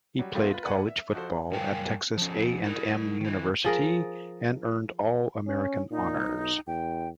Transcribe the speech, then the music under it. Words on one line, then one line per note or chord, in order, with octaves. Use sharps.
He played college football at Texas A and M University, and earned All-American honors.
F#3 G3
D3 F#3 A3 B3 C4 F4
F4 B4
A#4 B4 D5 F#5 G#5
E5
F2 F#4 A4 C5
F#2 G3 A#4 F5 G5 G#5
F3 C#4
E4 A#4
D#3 E4
F3 G#4 A#4
C#4
A#2 D#4
B1
E2 G5